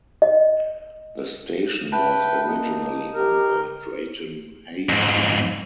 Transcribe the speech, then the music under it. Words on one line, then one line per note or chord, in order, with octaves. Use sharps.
The station was originally owned by Drayton Hastie.
D#5
B4 E5 G5 A5
A#3 D#4
G4 A#4
F2 G#2